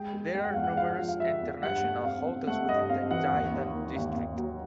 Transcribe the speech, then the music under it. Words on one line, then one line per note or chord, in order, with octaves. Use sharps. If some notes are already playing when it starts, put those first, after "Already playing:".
There are numerous international hotels within the Jiading district.
Already playing: G#3 G5
G#3
G#3 G5
F#5
E2 F5
F#5
F3 F5
F3
F5
F3 E5
E2
G2 F#5
A3
C4 F5
C4
A3 F#5
G2 D#5
C4 F5
E3 F#5
D#2
D#2
D#3
D#2
D#2
F#3